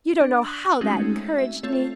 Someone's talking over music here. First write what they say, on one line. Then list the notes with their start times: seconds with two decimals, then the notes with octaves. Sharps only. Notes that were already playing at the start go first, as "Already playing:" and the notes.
You don't know how that encouraged me.
0.20 D4
0.44 F#6 F#7
0.81 G#3 A3 C4 C#4 D#4 F#4
1.38 E5
1.63 A3 C4 F4 A4 C#5